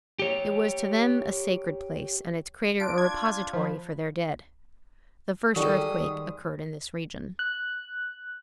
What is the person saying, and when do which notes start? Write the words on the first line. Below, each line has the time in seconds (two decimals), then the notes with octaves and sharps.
It was to them a sacred place, and its crater a repository for their dead. The first earthquake occurred in this region.
0.19 G4 C#5
2.80 D4 F4 D7
2.98 G#6
3.53 F3 B5
5.56 D#3 G3 G#3 F#4 A4 D#6
7.39 F#6